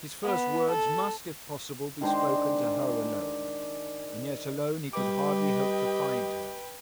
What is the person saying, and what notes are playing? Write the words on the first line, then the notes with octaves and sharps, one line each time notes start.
His first words must, if possible, be spoken to her alone; and yet alone he could hardly hope to find her.
B3
A4
D#3 G#3 D4 C5
G3 G4 B4 D#5 G5 D6